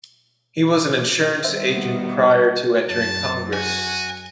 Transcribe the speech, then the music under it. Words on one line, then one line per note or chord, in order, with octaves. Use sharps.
He was an insurance agent prior to entering Congress.
D#3 G3 B3 C5 E5
F#2 A5
F#4 G#5